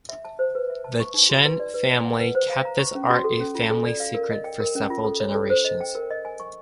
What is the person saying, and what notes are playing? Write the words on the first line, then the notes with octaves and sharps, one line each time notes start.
The Chen family kept this art a family secret for several generations.
E5
A5
C5
B4
E5
A5
C#6
D#4
F#4
B4
D5
B4
D5
F#5
B4
C5
F5
A#5
C#6
C#4
F#4
A4
C#4
F4
A4
D5
F5
A#4
D#5
G5
A#4
C#4
F4
A4
C#5
A4
C5
D#5
G5
A#4
D#5
G#5
C#6